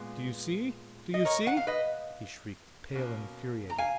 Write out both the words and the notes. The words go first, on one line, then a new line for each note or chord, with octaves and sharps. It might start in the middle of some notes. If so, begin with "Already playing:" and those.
"Do you see, do you see?" he shrieked, pale and infuriated.
Already playing: A#2 G#3 B3
D#5
A#4 C#5
F#5
F5
B4 D#5
B2 A#3 C#4
A#5
F5 G#5